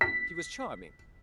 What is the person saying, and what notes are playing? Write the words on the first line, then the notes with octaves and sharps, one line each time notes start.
She was charming.
B6